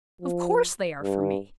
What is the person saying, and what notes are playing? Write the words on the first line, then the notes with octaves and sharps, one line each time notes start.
Of course they are for me.'
F3
G2